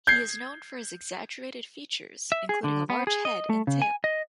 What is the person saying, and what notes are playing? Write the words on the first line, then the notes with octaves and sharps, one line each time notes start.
He is known for his exaggerated features, including a large head and tail.
G6 G#6 C7
E5
G#4
D3
B3
G#4
D#5
A3
C#3
G#5
D#5